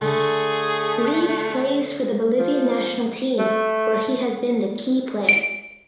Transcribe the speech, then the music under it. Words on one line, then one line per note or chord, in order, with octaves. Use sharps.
Reaves plays for the Bolivian national team where he has been the key player.
D3 A3 G#4
F3
A3
D7